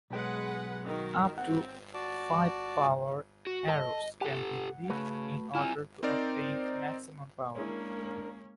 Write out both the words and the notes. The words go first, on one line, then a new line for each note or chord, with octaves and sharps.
Up to five power arrows can be lit in order to obtain maximum power.
B1 G#3 B4 F#5 G5
D#3 F#4 A#4
C4 F#5
F#4 D5 A5
F#4
A4 D#5
G4 A4 F#5
C#3 A3 F#4 B4
C4 E4 F4 G#5
C4 D#4 A#4 C5 D5 A#5
G#3 A#3 C#4 D4 E4 G#4 A#4 C#5